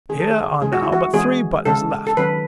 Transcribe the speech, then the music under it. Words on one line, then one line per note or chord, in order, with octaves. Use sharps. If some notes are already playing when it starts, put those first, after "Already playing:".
Here are now but three buttons left.
D#3 A3 C#4 G#4
A4
G#4
C#3 E3 G#3 C#4 G#4
F#4
E4
F#4
E3 G#3 C#4 G#4
C#3 G#3 C#4 A4
A4
D#3 F#3 C#4 B4